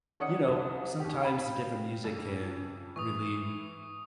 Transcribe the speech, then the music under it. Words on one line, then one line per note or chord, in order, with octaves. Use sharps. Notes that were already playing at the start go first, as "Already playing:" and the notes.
you know, sometimes the different music can relieve
D#3 C#4 D5 F#5 D#6 C#7
C2
D#2 G4
F5 G5 B5
F2 C#3
E3 C#6 D#6